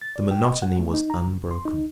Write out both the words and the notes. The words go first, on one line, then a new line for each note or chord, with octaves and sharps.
The monotony was unbroken.
A6
D5
G5
D#5
F#5
A3
D#4
A#5
C#2
C6
D#4